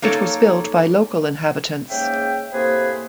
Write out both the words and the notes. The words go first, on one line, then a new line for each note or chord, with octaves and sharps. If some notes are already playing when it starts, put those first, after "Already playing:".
It was built by local inhabitants.
A#3 D#4 A4 C#5
G#2 C#3 A#3 E5 G5
A2 C3 A#3 G#4 B4 C5